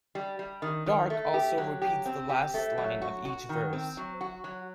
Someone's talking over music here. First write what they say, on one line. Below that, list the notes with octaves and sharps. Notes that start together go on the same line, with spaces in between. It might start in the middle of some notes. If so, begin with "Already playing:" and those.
Darke also repeats the last line of each verse.
G3
G3
D#3
D#3
A3
G4
F#3
G4
C4
G4
A3
F#3
F#4
F#4
D#3
C4
F#3
F#4
F#3